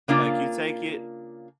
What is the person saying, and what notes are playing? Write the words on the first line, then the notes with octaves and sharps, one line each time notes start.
like, you take it,
C#3 A#3 D4 F4